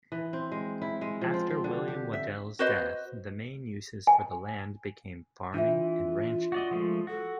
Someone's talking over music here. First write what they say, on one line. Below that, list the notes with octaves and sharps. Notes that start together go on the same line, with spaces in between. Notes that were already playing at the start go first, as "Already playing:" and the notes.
After William Waddell's death, the main uses for the land became farming and ranching.
E3
C4
G#3
E4
G#3
F3
C4
C4
D3
G4
E5
F#4 B4 C5 D#5
G#5
E3 D4 F4 E5
F#4 D5 D#5
F3 G#3 A3
F#4 A4